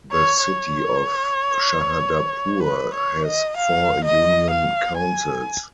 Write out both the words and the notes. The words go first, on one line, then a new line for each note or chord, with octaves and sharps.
The city of Shahdadpur has four union councils.
C#5
C#5
B4
C#5
D#5
F5
D#5
F5
G#5